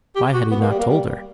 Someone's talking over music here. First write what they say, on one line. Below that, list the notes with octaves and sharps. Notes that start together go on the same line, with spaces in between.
Why had he not told her?
G4
F#4
B3
A#3
G3
A#3
G3